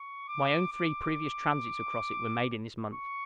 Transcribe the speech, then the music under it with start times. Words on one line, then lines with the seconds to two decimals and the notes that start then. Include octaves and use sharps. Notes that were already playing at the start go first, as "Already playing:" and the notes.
My own three previous transits across it were made in this month.
Already playing: C#6
0.28 D6
0.72 D6
2.93 C#6